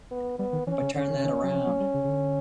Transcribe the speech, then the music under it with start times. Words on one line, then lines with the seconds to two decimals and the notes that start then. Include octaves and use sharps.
But turn that around.
0.11 B3
0.39 G3 B3
0.53 D#3
0.67 E3 C#4
0.82 C#3
0.95 D3 C#4
1.10 D#3
1.24 D#3
1.43 F#3
1.53 F3
1.66 F#3
1.80 G3
1.94 C#3
2.04 C#3
2.09 D3